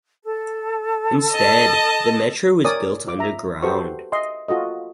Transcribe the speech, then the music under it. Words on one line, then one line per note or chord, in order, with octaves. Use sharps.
Instead, the metro was built underground.
A4
D#5 A5
A#4 C#5 D5 G#5 D#6
F4 D6
E5 A#5
F#4 G4 A4 B4 C5 C#6
D#5 E5 C6
F4 F#4 A4 D#5